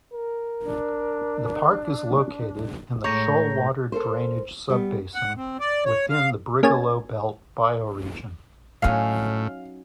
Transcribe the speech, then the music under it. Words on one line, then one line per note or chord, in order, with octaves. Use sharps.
The park is located in the Shoalwater drainage sub-basin within the Brigalow Belt bioregion.
A#4
D4
A2 G#3 A3 C#5 A#5 G6 A#6
A4 A#4 C5
G3 B3
F#5
C4
D5
C#5
F5
A#3 C#4 G#4 C#5 G#5 A5
A2 F#3 C#4 D#4 F5